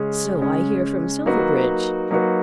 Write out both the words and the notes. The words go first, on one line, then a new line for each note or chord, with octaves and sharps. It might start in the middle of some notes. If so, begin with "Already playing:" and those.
"So I hear from Silverbridge."
Already playing: C#3 G#3 C#4 G#4
C#3 G#3 C#4 G#4
F#3 A#3 D#4 F#4 B4
F#3 A#3 D#4 F#4 B4